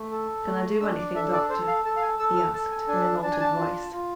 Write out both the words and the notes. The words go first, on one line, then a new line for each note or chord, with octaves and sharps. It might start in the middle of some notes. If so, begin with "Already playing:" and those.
'Can I do anything, Doctor?' he asked, in an altered voice.
Already playing: A3
A4
A3
D4 E6
D6
A4 E5
D5
A4 C5
F5
A4 A5
F5
G#5
A4 E6
F6
A4 A5
G#5
D4 G#5
D4 A5
G#5
A5
F4
F4